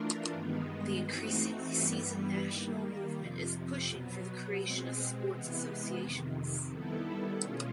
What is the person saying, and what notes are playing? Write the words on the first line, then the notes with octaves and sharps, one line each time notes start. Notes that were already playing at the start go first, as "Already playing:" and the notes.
The increasingly seasoned national movement is pushing for the creation of sports associations.
Already playing: E3 A3 D4 F4 A#4
G2 D#3 G#3 B3 D#4
E3 A3 C4 D#4 F#4
G2 E3 G3 B3
D#3 G3 A#3
F2 C3 F3
B2 F#3 B3
B2 G#3 C4
C3 E3 G#3 B3
F2 C3 D#3
D#3 G3 B3 E4 A4
B2 G#3 C#4 F4